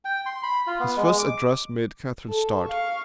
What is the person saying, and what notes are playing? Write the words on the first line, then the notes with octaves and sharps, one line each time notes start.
His first address made Catherine start.
G5
C6
B5
F4
B3
G#3
D6
A4
F5 C#6